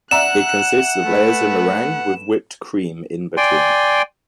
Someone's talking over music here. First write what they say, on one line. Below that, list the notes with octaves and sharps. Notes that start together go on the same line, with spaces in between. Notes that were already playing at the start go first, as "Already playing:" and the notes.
It consists of layers of meringue with whipped cream in between.
D5 E5 F#5 A#5 F#6 E7
A3 B4
D5 G5 G#5 C6